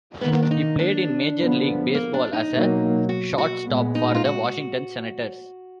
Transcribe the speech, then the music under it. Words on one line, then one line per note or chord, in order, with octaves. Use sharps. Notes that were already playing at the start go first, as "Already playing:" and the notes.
He played in Major League Baseball as a shortstop for the Washington Senators.
D#3 A#3 B3
B3
D4
D#4
D4
D3 F3 B3
A#3
D4
D#4
B2 F#3 A#3
F#4
F#4
A#2 G#3 B3
D#4
F4
F#4